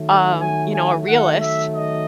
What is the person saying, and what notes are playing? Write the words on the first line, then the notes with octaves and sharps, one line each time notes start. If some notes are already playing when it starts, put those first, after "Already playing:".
um, you know, a realist,
Already playing: D#3 F#3 A3
G#5
G#5
D#3 F#3 A3 F#5
E5
D#5